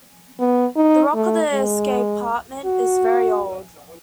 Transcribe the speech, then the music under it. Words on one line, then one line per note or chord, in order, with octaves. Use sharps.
The rock of the escarpment is very old.
B3
D#4
A3
G#3
F#4